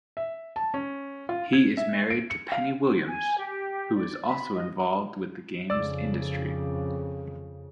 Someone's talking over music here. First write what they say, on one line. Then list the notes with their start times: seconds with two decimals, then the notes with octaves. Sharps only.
He is married to Penny Williams, who is also involved with the games industry.
0.17 E5
0.56 A5
0.74 C#4
1.29 F4
1.53 G#6
1.77 E5
2.10 D7
2.30 C#7
2.52 F5
3.08 G#5
3.38 G4
3.95 D5
4.26 B5
4.55 D#5
5.70 F2 C#3 D5 E6